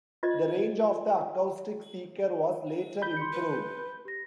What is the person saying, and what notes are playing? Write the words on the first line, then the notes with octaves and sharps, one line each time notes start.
The range of the acoustic seeker was later improved.
F4 C5 D5 D#5
B5 G6
C6 C#7
B4
G4 A#6